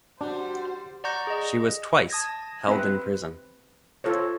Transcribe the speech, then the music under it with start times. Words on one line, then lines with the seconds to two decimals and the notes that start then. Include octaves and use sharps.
She was twice held in prison.
0.21 G3 D4 F#4 C5
1.04 D5 F#5 A#5 C#6 G6 A#6
1.27 G#4 D#5
2.10 A5 D#6 G#6 A#6
2.68 C4 B4
4.04 F4 A4 C5 C#5